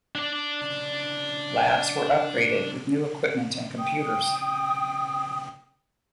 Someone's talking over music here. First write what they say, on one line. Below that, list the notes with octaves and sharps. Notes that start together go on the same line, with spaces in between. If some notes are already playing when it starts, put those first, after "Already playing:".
Labs were upgraded with new equipment and computers.
D4 D5
G5 D#6